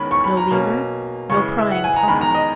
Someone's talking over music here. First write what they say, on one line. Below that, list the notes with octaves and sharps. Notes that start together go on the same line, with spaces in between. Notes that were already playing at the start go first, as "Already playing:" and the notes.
No lever; no prying possible.
Already playing: E2 D#3 G#3 C#4 B5
C#6
B5
A#5
B2 A#3 C#4
C#3 E3 G#3 C#6
E5
F#5
G#5
A#5
E2 D#3 G#3 B5
A#5
D#5